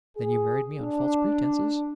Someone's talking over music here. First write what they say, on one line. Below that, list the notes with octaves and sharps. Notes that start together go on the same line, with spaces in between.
'Then you married me on false pretences?'
G#4
D4